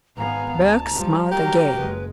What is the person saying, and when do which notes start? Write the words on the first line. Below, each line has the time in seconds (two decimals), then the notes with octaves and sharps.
Berg smiled again.
0.17 G#1 B3 F5 G#5 A#5
0.57 D2 A5
0.93 F3 G3
1.31 F#3 G4 A#4
1.76 F#1 G#3 B4